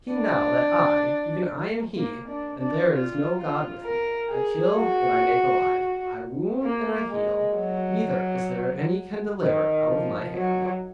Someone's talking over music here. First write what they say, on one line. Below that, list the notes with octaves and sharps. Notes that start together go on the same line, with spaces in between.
See now that I, even I am he, and there is no god with me, I kill and I make alive, I wound and I heal, neither is there any can deliver out of my hand.
D4
A#3
D4
D4
F4
F4
A#4
G#4
F#4
A#3
G#3
F#3
D#3
F3
F#3